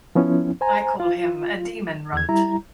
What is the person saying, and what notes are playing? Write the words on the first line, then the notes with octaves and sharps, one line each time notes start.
I call him a demon runt.
F3 B3 C#4 E4
C5 G#5 A#5
F4
E2 G#6
G3 E4 A#5